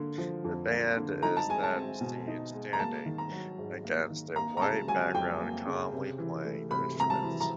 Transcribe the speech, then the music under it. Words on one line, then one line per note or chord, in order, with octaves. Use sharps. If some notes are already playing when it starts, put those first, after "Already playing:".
The band is then seen standing against a white background, calmly playing their instruments.
Already playing: D3 A#3
F3
F2
A#3
D3
D#4 A#5
A5
G#3 G#5
A5
C4
B2
D#4
G#3
A#5
A#3 A5
D#3
A#5
F#3
G#2
A#3
D#3
A#3 A#5
A#5
C#3 A5
F#3 G#5
F2 G5
A#3
C#3
C3
E3
A3
C3 B5
C3 A#5
A5
E3
A#5